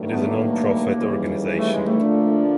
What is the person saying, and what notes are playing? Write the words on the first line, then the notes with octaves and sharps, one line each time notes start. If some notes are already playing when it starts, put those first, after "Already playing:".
It is a non-profit organization.
Already playing: G2 D#3 F#3 A3
B3
A#3
D#2 C#3 E3 G3
A3
G#3
A3
D3 F3 A#3 D4